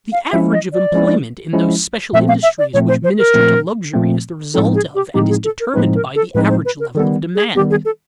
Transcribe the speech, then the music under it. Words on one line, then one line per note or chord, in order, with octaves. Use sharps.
The average of employment in those special industries which minister to luxury is the result of and is determined by the average level of demand.
F5
F3 G#3 C#4 E4 E5
D#5
D5
F3 G#3 C#4 E4
F3 G#3 C#4 E4
A#2 F3 A3 C4 E5
F5
E5
D5
A#2 F3 A3 C4 C#5
C5
C5
A#4
A#2 F3 A3 C4
A#2 F3 A3 C4
A2 F3 G#3 C4 D#4 A4
G#4
G4
A2 F3 G#3 C4 D#4 G4
G#4
A4
A#4
A2 F3 G#3 C4 D#4 B4
A#4
A4
A2 F3 G#3 C4 D#4 B4
C5
B4
A#4
D#3 G3 B3 A4
G#4
D#3 G3 B3 G4
G#4
A4